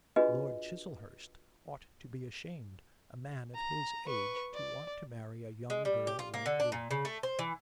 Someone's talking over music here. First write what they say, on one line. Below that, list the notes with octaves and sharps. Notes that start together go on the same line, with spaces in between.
Lord Chiselhurst ought to be ashamed, a man of his age to want to marry a young girl like you.
D4 F4 F#4 G#4 B4 D#5
A#5
B4 C#6
D5
G#3
G3
G4
F4
A#3
D3
D4
A#2
C#3
A3
C5
E3